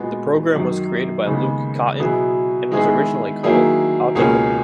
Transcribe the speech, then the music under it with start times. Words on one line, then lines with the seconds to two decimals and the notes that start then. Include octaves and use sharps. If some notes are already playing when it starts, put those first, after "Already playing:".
The program was created by Luc Cottyn, and was originally called "autopkg".
Already playing: A#2 G#3 B3 F#4
0.54 F#2 D#3 F#3
1.25 D#2 C#3 G#3 B3
1.98 B2 F#3 B3 E4 G#4
2.71 D#3 G#3 B3 E4 G#4
3.43 D#3 F#3 A#3 E4 G#4
4.15 C#2 B2 A#3 C#4 G#4